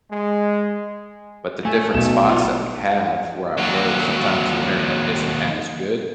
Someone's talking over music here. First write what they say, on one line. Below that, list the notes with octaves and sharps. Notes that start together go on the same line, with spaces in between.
But the different spots that we have where I work, sometimes the internet isn't as good,
G#3
A3 G#5
B1 E7
F4 F#4
D#2 F#3